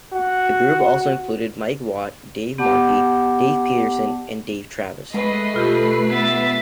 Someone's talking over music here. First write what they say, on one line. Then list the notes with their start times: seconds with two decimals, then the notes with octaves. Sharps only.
The group also included Mike Watt, Dave Markey, Dave Peterson, and Dave Travis.
0.13 F#4
2.58 B3 G4 D5 F#5 A5 D6
5.14 G#3 A3 B4 D#5 C7
5.54 B2 F4 G4 A4
6.12 B3 E5 A6